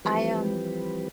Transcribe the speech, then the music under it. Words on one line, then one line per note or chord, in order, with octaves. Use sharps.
I, um,
E3 F3 G3 C4 G4 B4